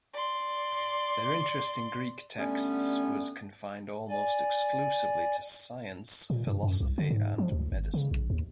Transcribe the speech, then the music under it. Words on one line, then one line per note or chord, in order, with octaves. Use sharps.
Their interest in Greek texts was confined almost exclusively to science, philosophy and medicine.
D5 C6
D3 G3 A3 B3 C#4
D5 G#5
A#2
G2
F#2
C2
D3
G#2
F3
D2
G#1
C#3
A#1
D#2